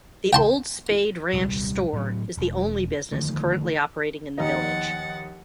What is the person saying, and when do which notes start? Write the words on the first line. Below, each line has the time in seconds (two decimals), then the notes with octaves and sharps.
The Old Spade Ranch Store is the only business currently operating in the village.
0.33 G5 A5 C6
1.34 D#1 C2 G3
1.93 A2 F#3
2.38 E1
3.12 D3 D#3 F3 A3
4.38 D#2 F3 D#4 F#5 A6